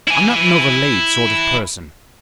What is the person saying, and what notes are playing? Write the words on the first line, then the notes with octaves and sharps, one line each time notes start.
I'm not an overlaid sort of person.
E4 G#5